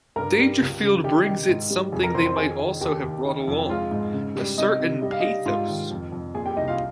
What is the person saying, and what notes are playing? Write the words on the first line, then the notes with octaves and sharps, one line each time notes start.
Dangerfield brings it something they might also have brought along: a certain pathos.
G2 A#4 A#5
G3
C#2
C#3
D#3 G4 G5
D#3
G#2
G3
F2 G#4 G#5
A#4 A#5
F2 C5 C6
C5 C6
D#3 G#4 G#5
D#3
D#2 G4 G5
D#2
D#3
F2
G5
G#3 F4 F5
G#2
C#3
G3
C3 D#4 D#5
C3
G3 D#5
F5
D#4 D#5
G3
G#2 F4 F5
D#3
F2
F2
A#2 G#4 G#5
G4 G5
C2 D#4 D#5
F4 F5